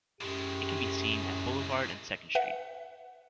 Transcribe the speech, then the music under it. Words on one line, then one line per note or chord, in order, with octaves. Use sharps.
It can be seen at Boulevard and Second Street.
F#2 A2 G#3 G4
B4 E5 F#5